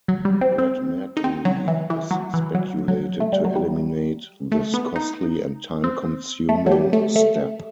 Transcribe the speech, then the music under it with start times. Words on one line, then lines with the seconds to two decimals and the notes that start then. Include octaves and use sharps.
Red mercury was speculated to eliminate this costly and time-consuming step.
0.08 F#3
0.25 G3
0.41 C4
0.58 C4
1.17 D#4
1.24 C4
1.45 F#3
1.68 E3
1.90 E3
2.11 F#3
2.34 E3
2.55 F#3
2.88 F#3
3.20 A3
3.33 G3
3.45 F#3
3.56 G3
4.52 A3
4.74 B3
4.96 D#4
5.84 C4
6.49 A3
6.66 F#3
6.71 G3
6.93 A3
7.16 A3